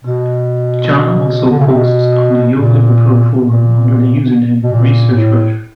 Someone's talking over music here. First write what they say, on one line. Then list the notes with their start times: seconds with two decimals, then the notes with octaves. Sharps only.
John also posts on the YoLiverpool forum under the username ResearchWriter.
0.04 B2
1.50 D3
1.59 C#3
1.66 C3
1.75 B2
2.60 A#2
3.45 A#2
4.63 B2
4.72 A#2
5.14 A2